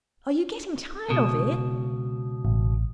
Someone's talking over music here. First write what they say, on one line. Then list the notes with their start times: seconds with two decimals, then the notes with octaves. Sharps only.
Are you getting tired of it?'
1.08 C#2 B2
2.45 A1